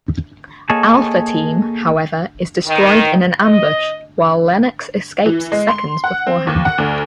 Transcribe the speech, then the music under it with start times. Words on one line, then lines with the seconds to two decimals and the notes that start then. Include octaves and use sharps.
Alpha Team, however, is destroyed in an ambush while Lennox escapes seconds beforehand.
0.70 A#3 G#4 A4 C#5 D#5 A5
2.67 D#3
3.42 D#5
5.26 E3
5.52 G#3
5.69 C6
6.04 F#5
6.27 C4
6.47 D#2
6.65 F#5
6.78 D2